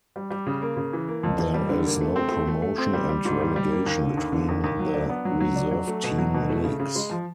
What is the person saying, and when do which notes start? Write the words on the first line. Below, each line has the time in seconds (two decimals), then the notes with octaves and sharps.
There is no promotion and relegation between the reserve team leagues.
0.16 G3
0.31 G3
0.47 C#3
0.62 A#3
0.77 C#3
0.93 E3
1.08 A#3
1.23 F2
1.39 F2
1.54 G3
1.69 D3
1.85 A#3
2.01 A3
2.16 C4
2.32 A3
2.48 A3
2.62 A3
2.78 C4
2.94 G3
3.09 G3
3.25 G#2
3.41 G3
3.56 G3
3.71 A#3
3.86 D#2
4.02 D3
4.17 D#2
4.32 D3
4.49 D#2
4.64 D#2
4.79 F#3
4.94 D4
5.10 B3
5.25 F#3
5.40 F#3
5.56 D4
5.71 F#3
5.87 A3
6.03 B2
6.18 F#3
6.34 B2
6.49 A3
6.64 C#3
6.80 C#3
6.95 G#3
7.11 F3